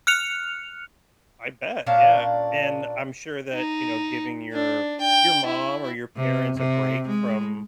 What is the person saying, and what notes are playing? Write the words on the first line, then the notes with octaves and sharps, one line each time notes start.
I bet. Yeah. And I'm sure that, you know, giving your your mom or your parents a break from
F6 F#6 C#7 F7
A#2 C#4 D4 F5
D#4
D4
G5
E4
C3
C3
G#3